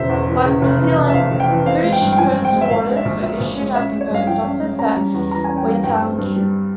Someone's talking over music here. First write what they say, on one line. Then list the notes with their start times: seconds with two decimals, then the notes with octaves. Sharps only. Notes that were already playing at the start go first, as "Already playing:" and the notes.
Like New Zealand, British postal orders were issued at the post office at Waitangi.
Already playing: E1 C#3 E3 C5 E5
0.09 E2
0.27 E3
0.44 C#3
0.62 F1
0.79 E3
0.97 F1
1.09 E5
1.14 F2 F5
1.31 F1
1.40 G5
1.49 E3
1.66 C4 F5
1.84 G#3
1.93 G5
2.01 G2
2.13 G5
2.18 F3 G#5
2.35 C4
2.45 G5
2.53 G#3
2.61 E5
2.70 A#1 F5
2.88 G#3
2.96 E5
3.05 A#1
3.23 A#2 E5
3.40 A#1
3.58 G#3
3.75 C#4 E5
3.92 G#3
4.01 C#5
4.10 G2 F5
4.27 F3 G5
4.44 C#4
4.62 G#3
4.79 C#4 A#5
4.97 G3
5.14 E2
5.31 E3 A#5
5.44 C#4 G#5
5.57 G5
5.66 G3 F5
5.84 G2 G5
6.01 C4
6.18 G2
6.36 G3